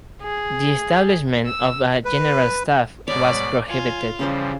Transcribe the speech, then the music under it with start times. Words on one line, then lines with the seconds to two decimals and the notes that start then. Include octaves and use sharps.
The establishment of a general staff was prohibited.
0.22 G#4
1.46 E6
2.05 B4
3.08 G#2 B2 C#5 D5 B5
3.68 F4 G#5
4.19 C#3 E3 F3 G3 C#4 C5